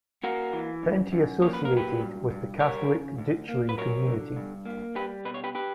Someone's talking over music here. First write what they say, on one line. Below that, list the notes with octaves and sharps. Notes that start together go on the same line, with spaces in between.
Penty associated with the Catholic Ditchling Community.
A#3 F#4 A#4
E3
F#2
F#2
A#3 C#5
B4
A#4
F#3
G4 B4
G2
G2
G3 A#4 C#5
C#3
D2
A#3
B4
F#3 A#4 C#5
D3
G2
A#3
G3 G4 B4
B2 B4
C#5
G4 B4
G4 B4